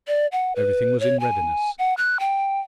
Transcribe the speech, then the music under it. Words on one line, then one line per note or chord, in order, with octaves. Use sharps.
Everything was in readiness.
D5
F#5
B4
C#5
G#5
F#5
F#6
G5